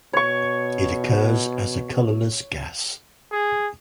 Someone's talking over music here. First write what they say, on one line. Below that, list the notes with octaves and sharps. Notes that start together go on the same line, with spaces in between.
It occurs as a colorless gas.
B2 C#5 C#6
G#4